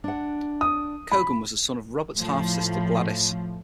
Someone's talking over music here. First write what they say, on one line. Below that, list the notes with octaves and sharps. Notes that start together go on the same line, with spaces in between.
Cogan was the son of Robert's half-sister Gwladys.
D4 F#5
D#6
B5
A2 F3